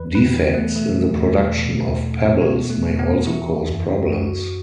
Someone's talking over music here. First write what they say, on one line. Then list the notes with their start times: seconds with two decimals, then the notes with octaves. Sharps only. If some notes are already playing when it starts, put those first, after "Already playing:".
Defects in the production of pebbles may also cause problems.
Already playing: E2 E3 B4
0.15 B4
0.30 E3
0.43 B3
0.55 A3
0.72 B2 A3
1.15 E2
1.57 B2
2.00 E2
2.42 B2 B3
2.70 A3
2.85 E2
2.99 B3
3.27 E3 E4
3.70 F#2
4.12 F#2 F#4